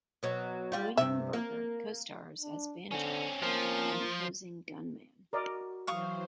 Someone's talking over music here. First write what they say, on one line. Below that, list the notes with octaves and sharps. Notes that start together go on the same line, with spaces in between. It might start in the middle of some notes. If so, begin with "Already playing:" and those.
William Berger co-stars as Banjo, an opposing gunman.
B2 F#3
G3 F4 G4
G2 C3 E5
A#3
D4
D3 C4 C#4
F3 A#3
F#4 A#4 D5 D#5
E3 F#3 C5 F5 C#6 D#6